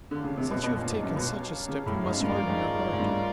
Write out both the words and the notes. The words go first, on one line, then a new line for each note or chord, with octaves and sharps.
Since you have taken such a step, you must harden your heart.
D3 D4 G4 A#4 C#5 F5
C#3
C3
B2
B2
A#2
G#2
F#2
B2
C#3
A2
G#2
F#2
G2 A3 C#4 F4 A#4 D5
G#2
G#2
G#2
G2